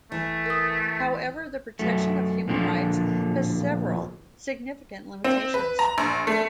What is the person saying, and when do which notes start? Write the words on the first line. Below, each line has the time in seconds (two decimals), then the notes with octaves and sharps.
However, the protection of human rights has several significant limitations.
0.12 F#1 E3 A3
0.46 A#4 D#6
0.97 A1
1.79 F#2 A3
2.48 D1 A#2 D3 F3
5.24 C4
5.54 B4
5.79 A#5
5.98 A#1
6.27 A3